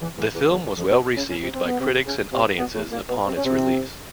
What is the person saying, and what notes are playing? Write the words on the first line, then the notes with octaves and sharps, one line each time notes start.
The film was well received by critics and audiences upon its release.
E2 E3
E2 E3
E2 E3
E2 E3
E2 E3
F2 F3
B2 B3
C#3 C#4
C#3 C#4
C3 C4
C4
B3
C3 C4
C#3 C#4
C3 C4
B2 B3
A2 A3
A#2 A#3
B2 B3
C3 C4
C#4
C3 C4